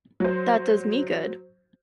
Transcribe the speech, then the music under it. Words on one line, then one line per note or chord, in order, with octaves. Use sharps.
That does me good!
F#3 C5